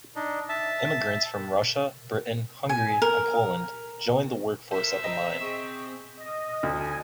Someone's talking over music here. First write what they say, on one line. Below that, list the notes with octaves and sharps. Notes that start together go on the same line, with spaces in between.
Immigrants from Russia, Britain, Hungary and Poland joined the work force at the mine.
D4 D#4
E5 A5
G#5
A#4
A4 A#4 C5 E5
C4 D#5 A#5
G#4 G5 C#6
D#5
D2
G#5